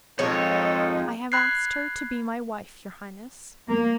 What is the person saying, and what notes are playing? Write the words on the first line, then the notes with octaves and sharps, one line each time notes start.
"I have asked her to be my wife, your highness."
F2 G#2 G#3 D#4 A4 C#5
B5 F#6 G#6 C7
A#3